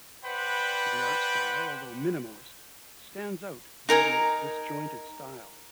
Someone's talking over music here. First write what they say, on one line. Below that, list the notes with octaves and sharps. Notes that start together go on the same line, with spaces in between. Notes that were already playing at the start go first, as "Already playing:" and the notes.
The art style, although minimalist, stands out due to its disjointed style.
B4 C5 D5 F#5 G5 B5
D#4 A#4 G#5 A#5